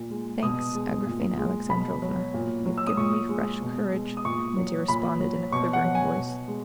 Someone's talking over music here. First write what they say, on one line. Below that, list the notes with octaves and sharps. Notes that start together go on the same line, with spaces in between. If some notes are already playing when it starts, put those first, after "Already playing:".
"Thanks, Agrafena Alexandrovna, you've given me fresh courage," Mitya responded in a quivering voice.
Already playing: A#2
G#3
B2 D#6
G#3
A#2
G#3
B2 B5
F#3
A#2
F#3
E6
D#6
A#2 C#6
G#3
B2
G#3
D#6
A#2 C#6
F#3
A#2 B5
F#3
B2 C#6
F#5
F#3
G#5
B2
G#3